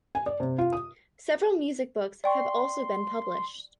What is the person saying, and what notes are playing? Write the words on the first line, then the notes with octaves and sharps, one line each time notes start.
Several music books have also been published.
G#5
D5
C3
F4
D#6
D5 G5 C6 C#6